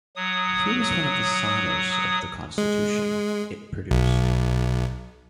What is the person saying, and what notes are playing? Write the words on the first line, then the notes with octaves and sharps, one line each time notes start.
He was one of the signers of the constitution it produced.
F#3 D#6
G#3
B1